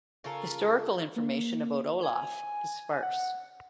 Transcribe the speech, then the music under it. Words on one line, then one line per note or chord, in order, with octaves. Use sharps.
Historical information about Olaf is sparse.
C#3 F4 A4 A#4
A#3
G#5
F#5